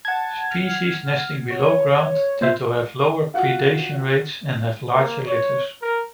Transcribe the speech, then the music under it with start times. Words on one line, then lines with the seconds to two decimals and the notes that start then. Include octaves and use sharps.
Species nesting below ground tend to have lower predation rates and have larger litters.
0.05 F#5 A5 G#6
0.50 F6
1.50 C#5
2.41 A#2 C5 E5
3.34 F4 F#4 F#5
4.94 A#3
5.27 C#5
5.82 A#4